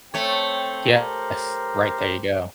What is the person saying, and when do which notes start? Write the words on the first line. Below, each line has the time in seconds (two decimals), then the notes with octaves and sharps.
Yes. Right, there you go.
0.14 A3 C4 C#5 G5
0.93 G4 A#4 C5